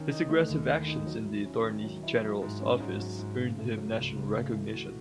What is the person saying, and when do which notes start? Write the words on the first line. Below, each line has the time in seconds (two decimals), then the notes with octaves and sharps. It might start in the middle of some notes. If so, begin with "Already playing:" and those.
His aggressive actions in the Attorney General's Office earned him national recognition.
Already playing: D#3 C#4
0.10 D#4
0.29 A3
0.49 D#2
0.68 D#3
0.87 D#4
1.06 F#3
1.26 E4
1.45 C#4
1.64 D#3
1.83 F#3
2.03 E4
2.22 F#3
2.42 G#2
2.61 C#4
2.80 G#2
3.00 F#3
3.19 G#2
3.39 C#3
3.58 A3
3.77 F#3
3.96 C#2
4.16 C#3
4.35 A3
4.54 E3
4.73 F#4